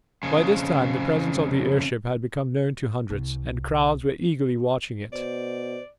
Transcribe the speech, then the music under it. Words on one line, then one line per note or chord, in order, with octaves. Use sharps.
By this time the presence of the airship had become known to hundreds, and crowds were eagerly watching it.
F2 C#3
C2 C4
B2 C5 D5